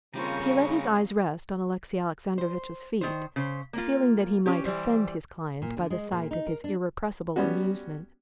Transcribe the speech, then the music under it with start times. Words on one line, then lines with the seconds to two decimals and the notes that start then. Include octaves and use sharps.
He let his eyes rest on Alexey Alexandrovitch's feet, feeling that he might offend his client by the sight of his irrepressible amusement.
0.15 C#3 G3 A#3 C4 F4 G4 A#5 C#6
2.38 C5
3.01 D#3 C5
3.36 C#3 C5
3.73 A#3 F4
4.46 C#4 G4
4.64 E3 G3 C5
5.62 A#2
5.77 D3
5.90 G#3
6.11 A#2
6.31 D#4
6.47 A#4
6.64 D4
7.36 G3 B3 C#4 F#4